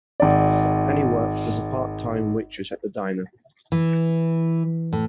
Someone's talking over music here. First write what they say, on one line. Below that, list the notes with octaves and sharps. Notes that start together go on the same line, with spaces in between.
Annie works as a part-time Waitress at the diner.
G#1 D5
E3
A2